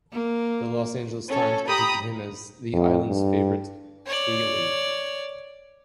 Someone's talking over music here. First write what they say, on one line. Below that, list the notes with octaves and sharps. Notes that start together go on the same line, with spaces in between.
"The Los Angeles Times" depicted him as "the island's favorite 'tailie'".
A#3
C#4 A4
G4 A#5 B5 D#6
F2
G2
C#5 D5